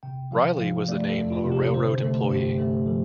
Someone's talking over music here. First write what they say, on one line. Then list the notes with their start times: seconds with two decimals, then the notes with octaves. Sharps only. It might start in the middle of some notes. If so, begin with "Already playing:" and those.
Riley was the name of a railroad employee.
0.03 C3 G5
0.31 F3 F5
0.59 F3 F5
0.88 A3 D5
1.10 A4
1.17 F2
1.30 F4
1.45 C3
1.52 G4
1.74 D3 C5
2.02 A3 A4
2.30 G2 G4
2.58 A3 A4
2.86 F3 A4